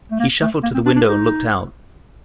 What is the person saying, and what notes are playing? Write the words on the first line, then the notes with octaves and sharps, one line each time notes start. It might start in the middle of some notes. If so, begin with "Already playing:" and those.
He shuffled to the window and looked out.
A3
A#3
A3
A#3
C4
D4
D4
D#4